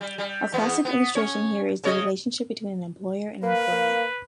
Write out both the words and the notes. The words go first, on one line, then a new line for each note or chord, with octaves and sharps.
A classic illustration here is the relationship between an employer and employee.
G3
G3
E2 B3
B3
C#4 C#5
C#3 C#5 D#5
A#3 B4 F5
A#3